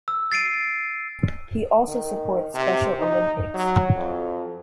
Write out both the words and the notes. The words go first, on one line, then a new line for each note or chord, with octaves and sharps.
He also supports Special Olympics.
E6
A6 C7 D7 D#7
D#3
C3
D#4
F#3
F2